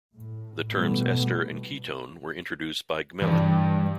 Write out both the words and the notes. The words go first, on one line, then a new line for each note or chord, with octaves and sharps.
The terms Ester and Ketone were introduced by Gmelin.
A2
B2 E3 G3 A3 B3
G2 E3 G3